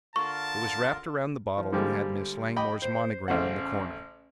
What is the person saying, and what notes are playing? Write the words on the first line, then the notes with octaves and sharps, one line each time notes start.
It was wrapped around the bottle and had Miss Langmore's monogram in the corner.
D3 F4 A#4 A5 C#6
F3
D3 F3 G3 G#3 A#3 G4
D#5 G5 B5 D6
C5
A1 C#3 C5 F#5